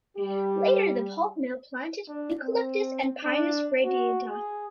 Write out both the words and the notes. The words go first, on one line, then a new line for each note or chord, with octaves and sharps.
Later the pulp mill planted Eucalyptus and Pinus radiata.
G3 G4
D4
C4
D4
F#4
G#4